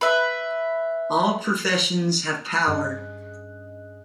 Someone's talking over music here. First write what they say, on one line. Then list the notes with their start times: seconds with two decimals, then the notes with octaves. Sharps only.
All professions have power.
0.01 B4 E5
2.67 G2 C#4 G#4 D#5 F#6